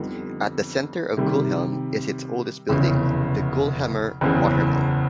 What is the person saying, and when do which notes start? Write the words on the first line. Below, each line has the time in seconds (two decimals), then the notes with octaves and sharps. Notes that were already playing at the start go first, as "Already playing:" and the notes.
At the centre of Geulhem is its oldest building - the Geulhemmer watermill.
Already playing: F2 D3 G3 B3 D#4
1.17 C3 D#3 G3
2.69 F1 E2 C#3
4.21 F#1 E2 C#3